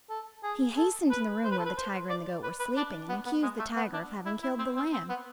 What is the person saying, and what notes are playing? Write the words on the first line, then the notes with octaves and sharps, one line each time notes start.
He hastened to the room where the tiger and the goat were sleeping and accused the tiger of having killed the lamb.
A4
G#4
A4
B4
C5
B4
A4
B4
C5
D5
B4
B4
D4
B3
B3
G#3
A3
B3
D4
E4
E4
C4
C4
C4
B3